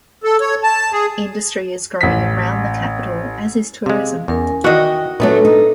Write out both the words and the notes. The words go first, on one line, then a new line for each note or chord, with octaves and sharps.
Industry is growing around the capital, as is tourism.
A4
C#5
A5
G#4
A1 B6
C3 G#3 F5
E2 C#4 A#4 G#5
D#3 E3 F#4 D#5 G5
A#2 F#3 A3 B3 D4 A4 B4
D#4